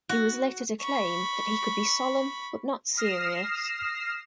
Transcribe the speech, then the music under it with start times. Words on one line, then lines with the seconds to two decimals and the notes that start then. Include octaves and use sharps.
He was later to claim that he could be 'solemn but not serious'.
0.09 F#4
0.81 B5 C#6
2.97 D#6 F6 A#6 C7 E7